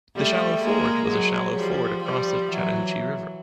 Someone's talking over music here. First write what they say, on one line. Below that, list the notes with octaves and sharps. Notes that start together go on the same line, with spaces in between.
The Shallow Ford was a shallow ford across the Chattahoochee River.
G3 A3
G#3 A#3
F#3 G#3
F3 G3
F3 G3
E3 F#3